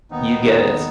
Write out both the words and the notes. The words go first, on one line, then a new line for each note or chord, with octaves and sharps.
You get it.
D#2 B3 D#4
D#2
D#3